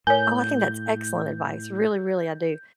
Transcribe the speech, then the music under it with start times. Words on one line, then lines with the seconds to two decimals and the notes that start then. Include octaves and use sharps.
oh, I think that's excellent advice, really, really I do,
0.07 A2 A#4 C#5 G#5 G6